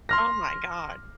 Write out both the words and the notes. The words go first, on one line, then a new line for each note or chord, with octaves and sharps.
oh my god.
C6 F6 A#6